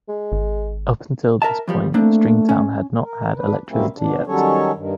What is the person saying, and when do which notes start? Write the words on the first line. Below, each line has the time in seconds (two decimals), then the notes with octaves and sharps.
Up until this point Stringtown had not had electricity yet.
0.09 G#3
0.32 G#1
1.42 A#4 E5 A5
1.68 E3 F3 G3
1.94 A3 A#3 C4 D4
2.49 C#4
3.03 A#4
3.37 D4 B4
3.69 B2 G3 A#3 C4 C#4 E4
3.96 B2 D4
4.27 D#3 F#3 G3 C#4 A4 C#5
4.75 G2 D#3